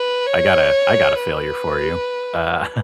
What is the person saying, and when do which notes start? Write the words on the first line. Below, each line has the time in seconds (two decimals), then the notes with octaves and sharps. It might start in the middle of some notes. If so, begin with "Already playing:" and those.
I got a I got a failure for you, uh
Already playing: B4
0.27 C#5
1.19 B4